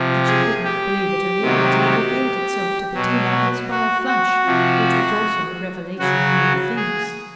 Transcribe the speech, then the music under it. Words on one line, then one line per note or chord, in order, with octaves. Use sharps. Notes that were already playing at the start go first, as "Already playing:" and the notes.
That she could not believe it a reality revealed itself to Bettina, as by a flash, which was also a revelation of many things.
Already playing: C3 F3
G#4
G4
C3 D#3 F#3
B2 F#3
F#4
F#4
C3 F3
C#3 F#3 F#4
G#4